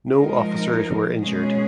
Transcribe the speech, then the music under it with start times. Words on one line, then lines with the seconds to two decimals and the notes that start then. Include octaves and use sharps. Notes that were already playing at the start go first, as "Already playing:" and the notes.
No officers were injured.
0.17 F3 G#3 D#4 A#4
1.20 B2 G#3 C#4 G#4